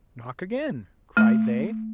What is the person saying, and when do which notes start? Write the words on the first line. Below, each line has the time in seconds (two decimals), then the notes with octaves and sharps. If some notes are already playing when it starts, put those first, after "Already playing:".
'Knock again!' cried they.
1.17 A3